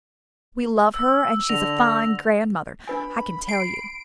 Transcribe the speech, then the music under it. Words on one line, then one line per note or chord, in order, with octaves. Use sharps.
We love her, and she's a fine grandmother, I can tell you.
E6
D3 A#6 F7
D4 B4 G#5 B5
C7 D7